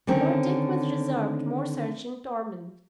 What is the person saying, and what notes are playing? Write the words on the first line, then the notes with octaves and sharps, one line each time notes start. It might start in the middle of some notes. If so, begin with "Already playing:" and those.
For Dick was reserved more searching torment.
D3 D#3 C4 C#4